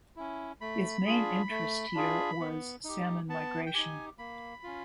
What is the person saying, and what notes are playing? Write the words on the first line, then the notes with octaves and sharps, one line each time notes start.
His main interest here was salmon migration.
C#4 E4
A3 B5
D4 F4 G#4
A3
D4 F4 G#4
B3
D#4 G4
B3 A5
G5
D#4 G4 G#5
A#3 B5
C#4 F4